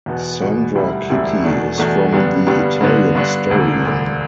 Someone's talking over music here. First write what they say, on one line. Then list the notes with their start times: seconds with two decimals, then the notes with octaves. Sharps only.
Sandra Citti is from the Italian Storyline.
0.06 E2 B2 B3
0.41 E2 B2 B3
0.75 E1 D2 D3 G3 E4
1.09 E1 D2 D3 G3 E4
1.44 E2 B2 A3 D4
1.78 E2 B2 A3 D4
2.13 G2 D3 G3 B3 D4
2.47 G2 D3 G3 B3 D4
2.81 G2 D3 B3 D4
3.15 G2 D3 B3 D4
3.49 E1 D2 D3
3.83 E1 D2 D3